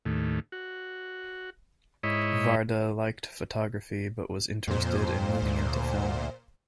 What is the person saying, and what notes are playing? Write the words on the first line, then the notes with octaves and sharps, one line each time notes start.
Varda liked photography but was interested in moving into film.
D#2 A2
F#4
G#2 E4 C#5 D#5 B5
F2 A#2 C5
D2